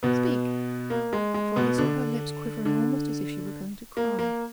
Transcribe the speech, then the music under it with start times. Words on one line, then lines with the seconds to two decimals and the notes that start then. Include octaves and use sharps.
Speak!' For he saw her lips quivering almost as if she were going to cry.
0.03 B2 B3
0.90 A#3
1.13 G#3
1.34 G#3
1.56 B2 B3
1.78 D3 D4
2.65 D3 D4
3.97 A#3
4.19 A#3